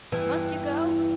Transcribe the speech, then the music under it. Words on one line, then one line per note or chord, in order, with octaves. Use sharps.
Must you go?
E2 G2 E3